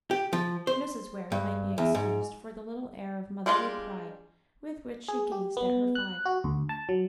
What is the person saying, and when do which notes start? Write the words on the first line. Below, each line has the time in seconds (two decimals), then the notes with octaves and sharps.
Mrs. Ware might be excused for the little air of motherly pride with which she gazed at her five.
0.11 G4
0.33 F3
0.67 C5
1.32 G2
1.78 E2
1.95 G#2
3.46 G3 G#3 D4 F4
5.08 G#4
5.32 G4
5.57 B3
5.95 F#6
6.26 F#4
6.44 D2
6.69 A5
6.89 F#3